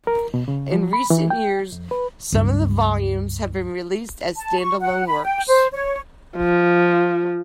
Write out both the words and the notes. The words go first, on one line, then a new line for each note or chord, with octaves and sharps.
In recent years some of the volumes have been released as stand-alone works.
A#4
B2
C#3
F3
B5
E3
G5
F2
B4
C#2 G2
A5
C#6
F#5
B5
G5
C5
C#5
F3